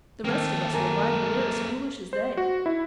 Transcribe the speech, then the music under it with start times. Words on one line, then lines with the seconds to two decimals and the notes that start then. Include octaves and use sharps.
The rest of us were mighty near as foolish as they.
0.25 D#3 A3 A#3 C4 A4
0.73 F#2 A#4 G#5
2.13 C5
2.37 F#4
2.66 E4